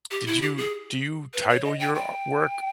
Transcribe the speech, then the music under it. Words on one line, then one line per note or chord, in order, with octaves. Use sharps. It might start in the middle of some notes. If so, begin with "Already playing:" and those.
Did you do you title your a work?
G4
E4
G4
G#4
B4
C#5
D#5
G5
G5